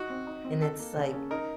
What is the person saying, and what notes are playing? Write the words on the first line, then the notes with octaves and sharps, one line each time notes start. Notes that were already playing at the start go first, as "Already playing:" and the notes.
and it's like,
Already playing: D#4 F#4
C4
D#4
C4
D#4 A4
A#3
C#3
C#4
D#4 A#4